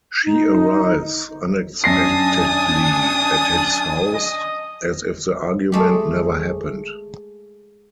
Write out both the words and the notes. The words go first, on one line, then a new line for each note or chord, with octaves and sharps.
She arrives unexpectedly at his house, as if the argument never happened.
D#4
F#2 D4 G#5 A5 D#6 A#6 C7
D#5
G#3 A3 G4